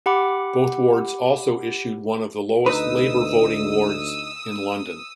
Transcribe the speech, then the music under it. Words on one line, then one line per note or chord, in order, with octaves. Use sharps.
Both wards also issued one of the lowest Labour voting wards in London.
G4 F#5 B5 D6
D2 D#4 B4 D#6 E6